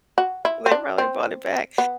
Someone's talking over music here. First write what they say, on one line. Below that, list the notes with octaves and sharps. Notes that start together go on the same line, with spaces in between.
they probably brought it back.
F#4
E4
C4
D4
C4
B3